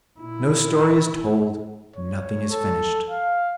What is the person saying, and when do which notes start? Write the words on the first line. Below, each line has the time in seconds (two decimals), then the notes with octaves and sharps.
No story is told, nothing is finished.
0.20 A#2 E4
1.96 C#5
2.50 A4
3.10 F5